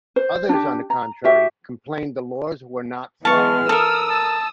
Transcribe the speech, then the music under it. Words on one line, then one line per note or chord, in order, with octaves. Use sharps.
Others, on the contrary, complained the laws were not followed.
C5
D4 G4
A#5
F#4 G4 E5
E3 G#3 B3 A5 C#6 F6
A4 A#4 D#6 E6
A5